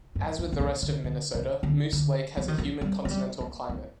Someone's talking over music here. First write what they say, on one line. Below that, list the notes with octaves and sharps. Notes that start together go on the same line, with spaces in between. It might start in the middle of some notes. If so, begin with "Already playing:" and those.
As with the rest of Minnesota, Moose Lake has a humid continental climate.
G2
G#2
C3
A#2
D3
D3
C3
D3
D3
F3
D#3
F3
G3
G#3
G3
A#3
C4